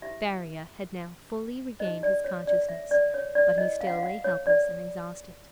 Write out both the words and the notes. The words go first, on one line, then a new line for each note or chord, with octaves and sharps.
Faria had now fully regained his consciousness, but he still lay helpless and exhausted.
E4 G4 C5 E5
D#4 G4 C5 D#5
D5
C#5
D5
E5
D5
C#5
D5
E4 A4 C#5 D#5
F5
F#5
F5
F#5
C#5
D5